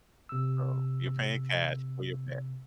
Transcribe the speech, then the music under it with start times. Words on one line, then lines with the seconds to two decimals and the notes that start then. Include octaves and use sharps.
So, you're paying cash for your pet.
0.29 C3 E6